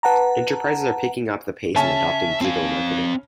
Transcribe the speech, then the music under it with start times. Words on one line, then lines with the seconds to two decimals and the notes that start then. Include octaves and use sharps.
Enterprises are picking up the pace in adopting digital marketing.
0.03 B4 F#5 A5 A#5
1.76 C#3 C#4 E5 A5
2.41 C4 F5